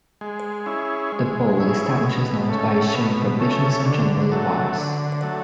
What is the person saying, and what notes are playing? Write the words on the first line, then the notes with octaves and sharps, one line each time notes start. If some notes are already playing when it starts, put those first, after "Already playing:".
The Board establishes norms by issuing provisions and general advice.
G#3
C#4 E4 G#4
G#3
C#4 E4 G#4
B2
A3 C#4
B2
A3 C#4
D3
F#3 A3
D3
F#3 A3